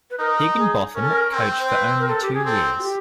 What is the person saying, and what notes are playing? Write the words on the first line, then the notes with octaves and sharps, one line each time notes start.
Higginbotham coached for only two years.
B4
D#4 A#4
G#4
C#4 A#4
A4
A#4
C4
C5
B4
A#4
A4
G4
G#4
C4 A4
F#4
G4